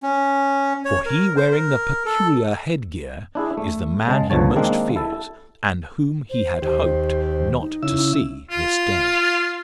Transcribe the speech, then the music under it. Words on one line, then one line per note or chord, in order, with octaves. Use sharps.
For he wearing the "peculya head gear" is the man he most fears, and whom he had hoped not to see this day.
C#4
C#5
A#4
C5
A#4
A4
D4 E4 G#4
A3
C#3 G#3 A5
C#2 B2 D3 F3 C#5 A5
D#3 G#3 A#3 C4 D4
E4 A4
C5
D#2 G4 C5
C5
D#4
C#3 E4 E6
F4